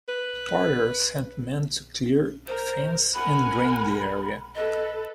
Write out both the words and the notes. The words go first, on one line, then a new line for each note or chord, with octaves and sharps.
Porter sent men to clear, fence and drain the area.
B4
A#4 C5
A#4 F#5 G#5 B5
A4 B4 D#5